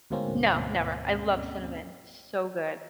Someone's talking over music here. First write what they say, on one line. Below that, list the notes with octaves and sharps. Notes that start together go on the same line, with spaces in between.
No, never, I love cinnamon. So good.
D2 G#2 B2 A#3 C4 C#4